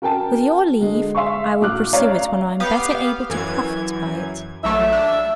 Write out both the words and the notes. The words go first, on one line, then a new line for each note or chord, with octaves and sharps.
With your leave, I will pursue it when I am better able to profit by it.
F#4 A#4 G5 A5
D3 G#3
E5 F5 C6 C#6
A2 F#4 D6 F6 F#6
C#5 D5 E5 F5 A#5
B3 G4 F5
F#2 E3 G#6
A#1 F#3 A3 E5
D4